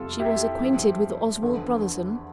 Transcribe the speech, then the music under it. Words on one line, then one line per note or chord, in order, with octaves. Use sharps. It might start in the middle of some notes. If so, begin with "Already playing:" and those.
"She was acquainted with Oswald Brotherson?"
Already playing: F2 C3 G3 F4 A4
E4 G4
G2 F3
E2 D3 F3